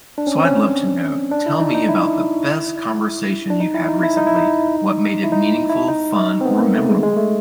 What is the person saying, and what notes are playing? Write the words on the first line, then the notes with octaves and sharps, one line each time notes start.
So, I'd love to know, tell me about the best conversation you've had recently, what made it meaningful, fun, or memorable?
D4
C#4
C4
C#4
D4
E4
D#4
D#4
E4
D4
D#4
E4
D#4
E4
D#4
E4
D#4
E4
D#4
E4
D#4
C4
B3
A#3
A3
G#3
G#3
A3